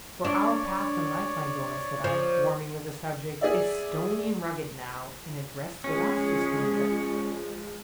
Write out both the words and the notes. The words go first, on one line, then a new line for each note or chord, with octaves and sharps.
For our path in life, my Dora,' said I, warming with the subject, 'is stony and rugged now, and it rests with us to smooth it.
D4 C#5 D5
F3
G#4 D5 E5
F3 G#3 C#4 G#4